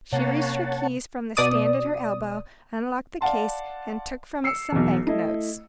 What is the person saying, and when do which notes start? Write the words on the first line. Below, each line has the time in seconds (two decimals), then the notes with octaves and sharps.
She reached her keys from the stand at her elbow, unlocked the case, and took from it some bank-notes.
0.12 C3 A#3 C#4 C#5 F#5 A5
1.37 B2 D5 D#6
3.21 D5 F5 F#5 A5 C6
4.44 E6 C7 C#7
4.72 B1 E2
5.06 A3 E4 D#5